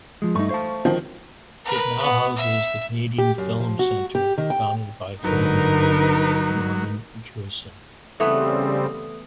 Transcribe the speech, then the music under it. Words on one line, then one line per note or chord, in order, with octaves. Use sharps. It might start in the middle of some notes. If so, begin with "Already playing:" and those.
It now houses the Canadian Film Centre, founded by filmmaker, Norman Jewison.
F3 G#3
G2 A3 D#4 C#6
C5 F5 A5
D#3 F3 C4
A#4 B4
B3
E5
G4
F#2
F3
F#4
G4
D#3
G5
G1 D3 F#3 D#4 A#4 B4
C#3 E3 G3 A3 B3 C4 A4 D#6